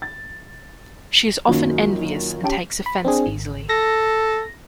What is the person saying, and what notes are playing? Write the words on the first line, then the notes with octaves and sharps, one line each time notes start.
She is often envious and takes offense easily.
A6
F#2 A#2 D#3 F#3 A#3 C#4
C#4 G4 G5 A5 D7
B5
C4 D4 G#4
G#1
A4 A#6